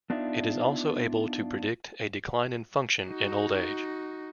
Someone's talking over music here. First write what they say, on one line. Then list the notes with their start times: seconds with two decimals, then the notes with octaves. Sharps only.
It is also able to predict a decline in function in old age.
0.10 B3 D4 D#4 F4 D5 E5
3.08 D#4 F#4